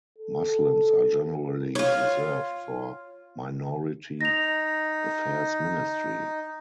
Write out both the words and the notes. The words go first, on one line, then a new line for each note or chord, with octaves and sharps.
Muslims are generally reserved for minority affairs ministry.
A4
F4 C#5
D#4 A#6 F7